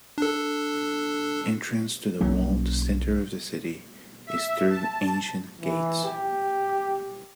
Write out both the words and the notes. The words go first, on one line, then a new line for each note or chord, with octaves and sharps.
Entrance to the walled center of the city is through ancient gates.
D4 A4
B1 F#3 A#3 C#4
E5
A5
E3
G4